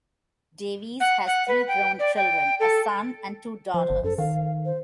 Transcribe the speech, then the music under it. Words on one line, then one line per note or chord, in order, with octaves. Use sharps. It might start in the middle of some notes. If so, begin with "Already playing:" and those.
Davies has three grown children, a son and two daughters.
F#5
F#5
B4
G5
D5
G5
A4
F3 C5
G1
F#2 A4
D#3 F5
C5